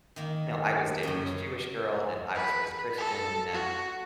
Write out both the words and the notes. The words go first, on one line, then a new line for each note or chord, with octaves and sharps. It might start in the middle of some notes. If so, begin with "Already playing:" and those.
you know, I was dating this Jewish girl and I was raised Christian and,
D#3 A#3
F#2 C#3
B4
A4
F#4